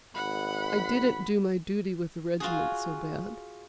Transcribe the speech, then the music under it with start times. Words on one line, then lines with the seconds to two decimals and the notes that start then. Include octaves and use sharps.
I didn't do my duty with the regiment so bad.
0.15 G#1 F#5 B5
2.40 F4 F#4 G#4